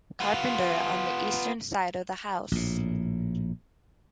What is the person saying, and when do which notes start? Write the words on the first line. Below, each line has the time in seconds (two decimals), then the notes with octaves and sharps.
Carpenter on the eastern side of the house.
0.20 B3 F4
2.52 A#1 A2